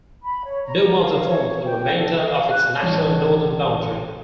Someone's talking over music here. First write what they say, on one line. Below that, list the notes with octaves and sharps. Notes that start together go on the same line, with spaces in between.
Blue Mountain forms the remainder of its natural northern boundary.
B5
C#5
A#5
F5
C#5
G5
A4
F5
F#6
A1 C#5 A5